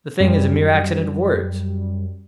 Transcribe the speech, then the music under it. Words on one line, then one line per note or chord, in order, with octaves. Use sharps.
The thing is a mere accident of words.
F#2 G3